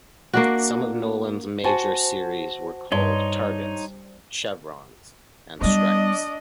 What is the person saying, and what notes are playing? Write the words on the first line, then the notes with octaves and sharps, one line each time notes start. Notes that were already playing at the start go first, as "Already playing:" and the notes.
Some of Noland's major series were called "Targets," "Chevrons" and "Stripes".
A#3 D4 F#4
F#4 C5 F#5 G#5 A5
G2 D#4 C#5 C6
G3 B3 D4 D#5